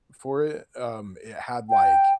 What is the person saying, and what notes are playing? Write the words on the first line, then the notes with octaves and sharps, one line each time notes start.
for it, um, it had, like
G5